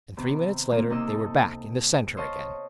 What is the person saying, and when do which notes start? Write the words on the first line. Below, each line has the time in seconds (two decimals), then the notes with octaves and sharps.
And three minutes later they were back in the centre again.
0.17 C3 D#3 B3 C4
0.72 A#3 C4
0.90 C3 A#3 C4 D#4 D#5 E6
1.08 A4
2.17 C5 C#5 D#5 F5 A5